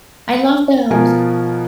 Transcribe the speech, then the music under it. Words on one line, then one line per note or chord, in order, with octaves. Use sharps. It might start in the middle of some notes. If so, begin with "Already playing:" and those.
I love those.
B2 F3 A#4 G#5